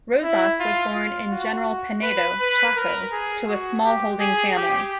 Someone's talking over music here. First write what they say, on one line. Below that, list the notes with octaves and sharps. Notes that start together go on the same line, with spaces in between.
Rozas was born in General Pinedo, Chaco, to a smallholding family.
E4
F4
F4
F#4
B4
B4
A#4
G#4
F#4
G4
G#4
G4